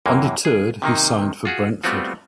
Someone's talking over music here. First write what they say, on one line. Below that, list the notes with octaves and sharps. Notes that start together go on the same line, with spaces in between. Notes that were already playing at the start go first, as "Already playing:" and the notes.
Undeterred, he signed for Brentford.
F#2 C3 E3 A#3
G#4
C3 D#3 A#3 D#4
F4 F#4 G#4
G3 A3 B3 C4 F4 F#4